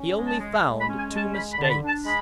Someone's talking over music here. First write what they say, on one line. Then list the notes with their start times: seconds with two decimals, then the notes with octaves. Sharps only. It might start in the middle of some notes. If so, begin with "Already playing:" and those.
He only found two mistakes.
Already playing: C#4
0.16 G#3
0.28 A5
0.39 G#3
0.63 G#3
0.81 B5
0.87 C#4
0.99 G#5
1.10 G#3
1.17 A5
1.34 G#3 B5
1.52 B5
1.58 D3 A5
1.70 B5
1.82 D4
1.88 A5
2.05 G#3 B5